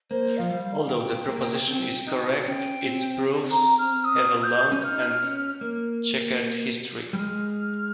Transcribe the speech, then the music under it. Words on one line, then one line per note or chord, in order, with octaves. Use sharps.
Although the proposition is correct, its proofs have a long and checkered history.
A#3 C5
F3 F5
G3
F5
G5
A#3
C4
D#4
C#4 G5
C4
A#5
F6
D#6
G6
C#4
D#4 F6
C#4
A#3
G3
G#3 F6